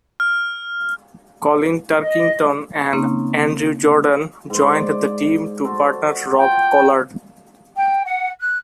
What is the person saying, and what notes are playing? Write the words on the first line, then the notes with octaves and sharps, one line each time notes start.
Colin Turkington and Andrew Jordan joined the team to partner Rob Collard.
F6
D#5
C#3 A#3 C4 C#4 D#4
G#2 C5
D5
F#4 A4 C5
F4 G5 A5 D6
G5
F#5
F#6